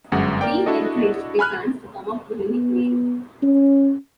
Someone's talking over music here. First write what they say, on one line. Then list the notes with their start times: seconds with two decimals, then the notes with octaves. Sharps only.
The team encouraged their fans to come up with a nickname.
0.12 G1 F#2 G#3 F#5
0.41 A#3 A#4 D5 G5
0.66 D4 E4 F#4 A4 D#5
1.39 G#5 B5 F6 F#6
2.50 B3
3.43 C#4